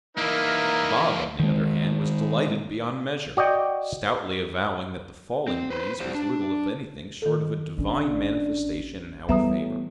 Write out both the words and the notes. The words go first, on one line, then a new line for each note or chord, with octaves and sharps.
Bob, on the other hand, was delighted beyond measure, stoutly avowing that the falling breeze was little, if anything, short of a divine manifestation in our favour.
E3 A#3 D#4 E4 A#4
D#3 G#3
F#4 D5 D#5 G5
C4
B4 C5
G3 C5
D4
D#3 A4
A1 C#4 D4
A2 E3 G3 B3 E5 A#5 D#6